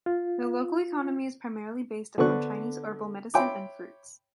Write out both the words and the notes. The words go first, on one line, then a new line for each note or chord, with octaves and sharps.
The local economy is primarily based upon Chinese herbal medicine and fruits.
F4
D3 B3 C5 D5 C#6 F#6
C#5 E5 G5 B5 C6 D6